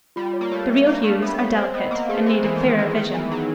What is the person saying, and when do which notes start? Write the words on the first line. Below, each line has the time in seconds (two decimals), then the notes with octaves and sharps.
The real hues are delicate, and need a clearer vision.
0.16 G3 F4
0.33 C#5
0.41 A#3
0.52 A3 C#5
0.69 F5
0.86 A#3 D4
1.04 A3 D4
1.22 B3 C#5
1.38 B3 C#5
1.56 C4 C5
1.74 B3 D#5
1.91 A#3 C5
2.09 A3 G#4
2.26 G#3 C5
2.44 E3 G#5
2.62 D#3 C5
2.78 D#3 G#4
2.97 D#3 B3
3.14 E3 B3
3.31 F#3 G#4